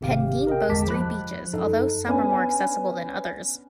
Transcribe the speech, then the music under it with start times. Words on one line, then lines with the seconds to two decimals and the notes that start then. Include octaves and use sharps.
Pendeen boasts three beaches although some are more accessible than others.
0.01 G#1 C3 G4 F5
0.47 A#4 D#5 G5
0.69 G1 E2 G#3 A5 D6 B6
0.87 F3 B5 F#6
1.53 F#2 D#4 A4
2.07 B3 C#4 D4 G#5